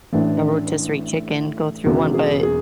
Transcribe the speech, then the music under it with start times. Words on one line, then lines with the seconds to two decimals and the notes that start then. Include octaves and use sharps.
A rotisserie chicken go through one, but
0.12 A1 A2 E3 D4
1.85 E1 E2 C#3 E3 F#4
2.14 G#4
2.43 G#4